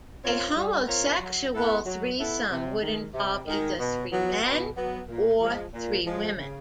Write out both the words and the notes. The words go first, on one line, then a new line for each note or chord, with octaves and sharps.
A homosexual threesome would involve either three men or three women.
C4 F4 A#4 C#5
G3
C4 F4 A#4 C#5
F#3
B3 E4 A4
F#3
B3 E4 A4
C3
D#3 G#3
C3
D#3 G#3
B2
F#3 B3
B2
F#3 B3
A#2
F3 G#3
A#2
F3 G#3
C#3